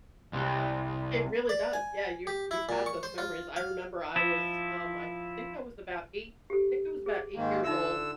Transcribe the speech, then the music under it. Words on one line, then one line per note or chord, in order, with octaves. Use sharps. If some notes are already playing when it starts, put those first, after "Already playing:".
It really does, yeah, you you have those memories. I remember I was, um, I think I was about eight I think I was about eight years old,
C2
D5
G#5
G4
E4
A#2
C#6
C5
F4
F5
F3 E4
G4 A4
G#4
G#2 D#3 A#3
D3 D#4 F4 E5 E6